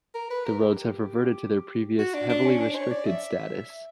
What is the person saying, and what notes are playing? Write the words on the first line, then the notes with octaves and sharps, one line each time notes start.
The roads have reverted to their previous 'heavily restricted' status.
A#4
B4
A#4
G4
F#4
D4
D4
C#4
D4
C#5
D5
E5